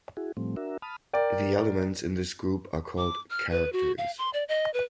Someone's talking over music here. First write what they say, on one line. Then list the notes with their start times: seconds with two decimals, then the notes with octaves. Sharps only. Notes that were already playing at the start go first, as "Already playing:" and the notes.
The elements in this group are called "characters".
0.17 E4 F#4 G#4
0.37 A2 F3 G3 A3 C4
0.57 D4 F#4 A#4 E5
0.82 A5 B5 D#6 F6
1.13 A#4 D5 G5
2.97 D6
3.30 F6
3.51 B4
3.73 F#4
3.98 F5
4.18 C6
4.33 D5
4.48 D#5
4.74 B4